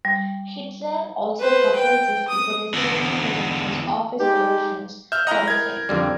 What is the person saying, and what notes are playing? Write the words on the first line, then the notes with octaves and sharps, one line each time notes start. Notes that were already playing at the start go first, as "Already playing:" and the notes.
Hitler also coupled this with the resonating projections of his orations for effect.
G3
B4 C5
G5
D#6
E2 D3
G#3 D#4 G4
E5 F6 G6
E4 D#5 F#5 A#5
A#4 G#6
F2 D3 G3